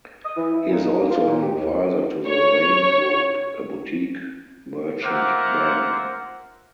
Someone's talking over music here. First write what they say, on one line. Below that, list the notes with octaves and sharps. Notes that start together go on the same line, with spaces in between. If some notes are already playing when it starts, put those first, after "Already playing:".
He is also an advisor to the Raine Group, a boutique merchant bank.
D#6
E3
E4
A#2
D#4
A#3
F4
A#2
G4
D#2
C#5
F4 A#4 C5 E5 F#5 D6